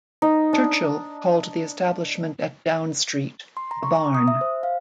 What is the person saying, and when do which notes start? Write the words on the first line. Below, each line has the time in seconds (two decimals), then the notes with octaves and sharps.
Churchill called the establishment at Down Street "The Barn".
0.22 D#4
0.53 D4
3.57 C6
3.71 A#5
3.83 C#6
3.96 A#5
4.15 D#6
4.28 E5
4.41 C5
4.63 F5